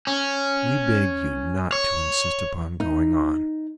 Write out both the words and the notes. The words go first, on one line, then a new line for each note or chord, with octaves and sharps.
We beg you not to insist upon going on.
C#4
C#5
D#4